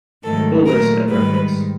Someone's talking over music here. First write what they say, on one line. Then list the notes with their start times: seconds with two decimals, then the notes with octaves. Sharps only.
Full list at reference.
0.23 G#2 D#3 F#3 A3 A4
0.66 A#2 F#3 A3 A#4
1.09 G#2 D#3 G3 B4